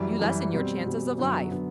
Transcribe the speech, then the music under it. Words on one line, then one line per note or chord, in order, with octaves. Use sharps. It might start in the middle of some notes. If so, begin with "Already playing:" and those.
You lessen your chances of life!
Already playing: F#2 E3 G3
F#2 E3 G3
B2 G3 C4
B2 G3 C4
F#2 D3 F#3 B3
D3 F#3 B3